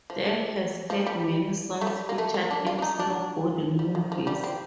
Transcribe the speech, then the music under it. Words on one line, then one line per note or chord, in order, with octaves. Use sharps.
Del has had many songs featured in snowboarding movies.
F3
A3
F3
G3
A3
G3
A#3
A3
A#3
D4
F4
D4
D#4
D4
G3
D#3
F3
G3
C4